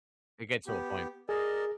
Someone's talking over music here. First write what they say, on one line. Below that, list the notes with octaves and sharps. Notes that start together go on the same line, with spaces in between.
It gets to a point.
B3 G4
G#4 A#4 D5 D#5